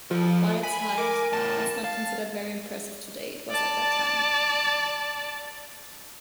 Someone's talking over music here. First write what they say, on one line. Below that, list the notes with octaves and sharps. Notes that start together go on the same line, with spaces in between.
While its height is not considered very impressive today, it was at that time.
F3 A4 C5
G#5 B5
A#4 D6
E2 A2 A5
F5
D5 A5